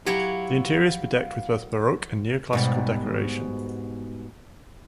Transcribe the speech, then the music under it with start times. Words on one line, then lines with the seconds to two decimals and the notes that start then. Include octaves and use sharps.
The interior is bedecked with both baroque and neoclassical decoration.
0.06 F#3 E4 G4 C#5 F5
2.53 G#2 B2 G3